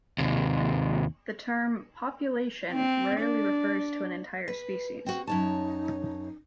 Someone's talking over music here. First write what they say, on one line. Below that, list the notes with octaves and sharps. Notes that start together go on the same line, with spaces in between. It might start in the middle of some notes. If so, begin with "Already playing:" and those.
The term "population" rarely refers to an entire species.
D#2 C3
C4
D4
B4
C4 F#4
F#2 D#4 C#5 A5